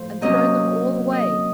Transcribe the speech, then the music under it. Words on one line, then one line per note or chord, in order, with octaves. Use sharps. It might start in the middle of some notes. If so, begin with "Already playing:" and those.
'And thrown them all away.
Already playing: A2 F3 C5
C3 F#3 A#3 C#4 D#5
D#5